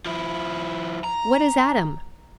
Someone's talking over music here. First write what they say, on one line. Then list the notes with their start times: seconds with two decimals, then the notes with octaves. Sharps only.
What is Adam?
0.06 F3 E4
1.04 A#5